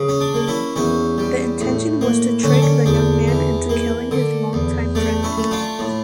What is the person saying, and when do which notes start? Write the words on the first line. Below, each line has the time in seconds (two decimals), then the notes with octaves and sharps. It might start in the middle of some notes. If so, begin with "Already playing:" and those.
The intention was to trick the young man into killing his long time friend.
Already playing: C#3
0.09 C#4
0.20 D4
0.34 A#3
0.48 C#4 E4
0.76 E2 C#4 E4
1.18 G3
1.60 A2
2.01 A#3
2.43 D3 C#4
2.53 D4
2.62 C#4
2.86 E2 D4
3.28 E3
3.69 A#3
4.11 D3
4.53 E2
4.95 A3 D4
5.23 C#4 E4
5.38 A3
5.51 D4 F4
5.79 A2